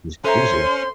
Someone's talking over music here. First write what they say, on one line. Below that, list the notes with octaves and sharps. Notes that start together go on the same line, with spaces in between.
it was crazy.
C#4 A4 C5 E5 A#5 C6